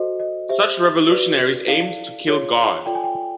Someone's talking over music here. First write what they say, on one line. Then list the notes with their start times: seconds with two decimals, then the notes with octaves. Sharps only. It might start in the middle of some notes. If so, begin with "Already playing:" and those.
Such revolutionaries aimed to kill God.
Already playing: F#4 A4 C5 D#5
0.20 D#5
0.49 G4 C5 E5
1.08 F#4 B4 D5
1.68 E4 A4 D5 F5
2.27 F4 G#4 C#5
2.86 F4 A4 D5 G5
2.95 G#5
3.04 G5